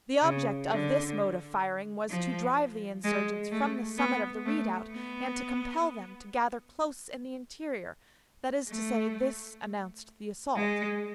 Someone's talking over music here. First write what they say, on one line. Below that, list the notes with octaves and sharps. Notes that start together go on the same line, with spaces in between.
The object of this mode of firing was to drive the insurgents from the summit of the redoubt, and to compel them to gather close in the interior, that is to say, this announced the assault.
C#3
D3
F3
G#3
A3
B3
A3
B3
A3
G#3